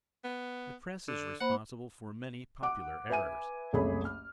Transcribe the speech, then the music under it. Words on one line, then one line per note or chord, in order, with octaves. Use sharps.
The press is responsible for many popular errors.
B3
D3
A#3 C5 F#5 B5
F#5 D6
B4 E5 G#5 D#7
F#1 C2 A3 G#4 C#5 B5
F6